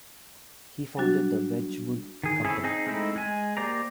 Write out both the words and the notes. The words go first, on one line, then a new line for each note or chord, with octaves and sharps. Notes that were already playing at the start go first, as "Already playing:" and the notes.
He founded the Wedgwood company.
F#3 G3 D4 F#4 A6
D#3 G#4
C4 C#4 E4 G#4 A4
C4 D#4 G#4
G#3 A3 C4 D#4 E4
G#3 G#5
A#3 G4 C5 D5 A#5